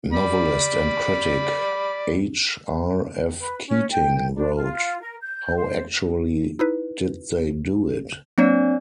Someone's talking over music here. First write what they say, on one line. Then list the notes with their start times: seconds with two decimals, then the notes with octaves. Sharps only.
Novelist and critic H. R. F. Keating wrote, How actually did they do it?
0.13 D5 B5
3.38 B4
3.67 C#4
3.90 G5
4.37 D4
4.56 F4
5.00 A#4
5.22 G6
5.55 C5
6.59 D#4 E4 B4
8.38 F#3 A#3 C4 D4 C#5 D5